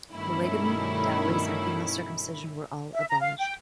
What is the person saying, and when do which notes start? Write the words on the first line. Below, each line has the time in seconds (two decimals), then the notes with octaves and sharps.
Polygamy, dowries and female circumcision were all abolished.
0.13 G2 B2 D#3 A3 C#4 E4
2.94 E5
3.09 A#5
3.20 F5
3.38 G5